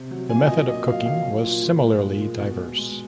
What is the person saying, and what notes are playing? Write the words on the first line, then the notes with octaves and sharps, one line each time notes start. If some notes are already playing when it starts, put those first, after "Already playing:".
The method of cooking was similarly diverse.
Already playing: C3
F#3
A#2 G#5
F#3 D#5
A#2 D#5
F#3 F5
F#3 F5
F3
A#2
A#2
G#3
A#2
G#3
B2
G#3
G#3